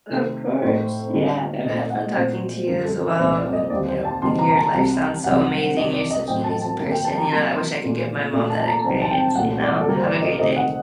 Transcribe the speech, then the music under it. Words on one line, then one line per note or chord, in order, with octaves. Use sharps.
Of course, yeah, I've had fun talking to you as well. Yup, your life sounds so amazing, you're such an amazing person. You know, I wish I could give my mom that experience, you know? Have a great day.
C3 D#3 A3 C4
A2 A3 D#4 C5
D2 D3 G3 C4 D#4
A#2 A3 C4 D#4 D#5
F#5
A#2 A3 C4 C5
F#2 D3 G3 A#4
A4
A#4
C2 A#2 A3 D#4 C5
D5
D#5
D#2 D3 G3 C4 D5
C5
A5
D2 C3 G3 A#3 D#4 C6
A#5
A#5
A5
C2 C3 G3
C2 C3 F#3 C4 F#5
C3 G3 D4 D#5
D5
D#5
A2 F#3 C4 G5
A5
A5
G2 D3 G3 A#3 A#4
G5
A5
A#5
C3 F#3 A#3 C6
C6
A#2 A3 D4
A#2 A3 D4 D5
A5
A5
A#5
C2 C3 D#3 F#3 C4 A5
A5
G5
C2 A#2 A3 F#5
D5
A4
G2 D3 G3 A#3 A#4
C5
D5
D#5
D2 C3 D#3 A3 C4 D#5
F#5